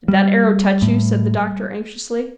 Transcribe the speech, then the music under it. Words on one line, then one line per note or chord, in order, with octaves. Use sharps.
"Did that arrow touch you?" said the doctor anxiously.
G3
A2